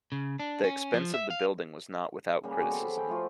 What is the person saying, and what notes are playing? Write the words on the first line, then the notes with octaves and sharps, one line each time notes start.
The expense of the building was not without criticism.
C#3
D4
C#4
F3
E5
F5
C#3 G3 A#3 G#4
B3 F#4 G4 D5
A4 C5 G5 A5
G#4 B4 B5
F5 G5
F3 A3 F4 F#4